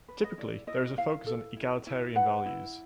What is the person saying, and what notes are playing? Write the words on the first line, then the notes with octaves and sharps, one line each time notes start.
Typically, there is a focus on egalitarian values.
B4
D#5
E4 D5
E4 D#5
E4 F5
A4
E4
E4
B4 F#5
E4